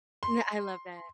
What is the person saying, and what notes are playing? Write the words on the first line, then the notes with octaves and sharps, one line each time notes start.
Yeah, I love that.
C6